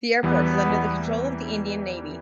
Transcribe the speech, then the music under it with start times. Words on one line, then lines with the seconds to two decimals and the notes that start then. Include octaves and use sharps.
The airport is under the control of the Indian Navy.
0.22 E2 E3 G3 B3
0.69 E2 E3 G3